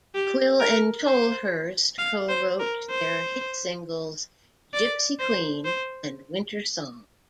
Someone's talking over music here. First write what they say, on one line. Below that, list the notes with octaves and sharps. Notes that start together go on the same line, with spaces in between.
Quill and Tolhurst co-wrote their hit singles "Gypsy Queen" and "Wintersong".
G4
A#4
C5
F5
C5
A#4
C5
D5
C5
C5